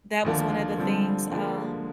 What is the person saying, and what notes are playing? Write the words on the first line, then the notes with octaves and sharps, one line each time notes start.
that was one of the things, um,
D2 D3 D#3 F3 A#3
D3 F3 G3 C4
D3 F3 G#3 A#3